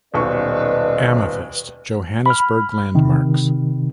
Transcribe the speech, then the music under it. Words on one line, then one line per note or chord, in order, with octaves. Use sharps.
Amethyst: Johannesburg Landmarks.
D#1 B1 C#4 B4 D5 D#5 C#6
B5 F6
C3 D#3